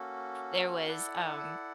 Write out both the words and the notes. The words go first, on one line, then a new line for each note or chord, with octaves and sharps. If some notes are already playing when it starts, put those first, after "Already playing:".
there was, um,
Already playing: A#3 C#4 F#4 A4
E4 A4 D5 F#5